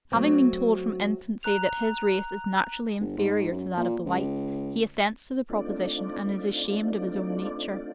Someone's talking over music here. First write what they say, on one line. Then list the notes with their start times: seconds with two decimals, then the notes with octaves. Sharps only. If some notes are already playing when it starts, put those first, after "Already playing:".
Having been told from infancy that his race is naturally inferior to that of the whites, he assents to the proposition and is ashamed of his own nature.
0.12 F#3 A3 C4
1.43 A#5 F#6 F7
3.01 G1
3.18 G#2
3.52 F#2
3.77 A#2
4.06 C#2
5.50 A3 C4 D4 D#4 F4 D5